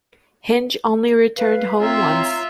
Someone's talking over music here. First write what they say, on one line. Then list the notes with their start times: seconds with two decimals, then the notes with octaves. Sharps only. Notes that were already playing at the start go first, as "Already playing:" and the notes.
Hinge only returned home once.
1.36 B4 F5
1.80 C4 F4 C#5 E5 A#5